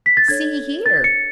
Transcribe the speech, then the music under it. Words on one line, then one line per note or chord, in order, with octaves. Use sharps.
See here.
B6
A6
D4 A4 C#5 G#6
A6
C#7